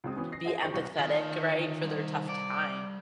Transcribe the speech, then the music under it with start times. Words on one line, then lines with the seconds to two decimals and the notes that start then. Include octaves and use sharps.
be empathetic, right, for their tough time.
0.04 C#2 G#3 C4 D#6
0.17 E3 F#3 B3 C#4
0.32 A#6 C7
0.45 G#4 C5 D#5 E5 F#5
0.61 G#4 C5 G5 C#6 G6 C#7
0.74 C2 E4 G4 C#6 A#6
0.99 D#3 F#3 F4
1.12 F4 C#5 A5
1.84 G3 C5
2.29 D5